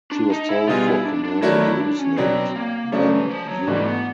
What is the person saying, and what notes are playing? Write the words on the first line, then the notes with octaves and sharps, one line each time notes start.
She was sold for commercial use named Wan You.
D4
D#4
E4
B2 G3 B3 D#4 F4 G#4
E4
D4
D4
D#3 F#3 A3 D4 E4 F#4
E4
D4
C#4
B2 F#3 B3 C4 D4
A#3
C#3 F3 F#3 A3 D4
E3
F3
F#3
G#2 E3 G3 A3 D4 F#4
B3